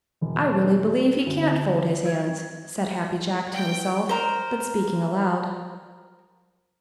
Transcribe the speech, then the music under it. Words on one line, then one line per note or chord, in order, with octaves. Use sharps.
"I really believe he can't fold his hands," said Happy Jack to himself, but speaking aloud.
E1
D2
G#6
G5
A#4 C5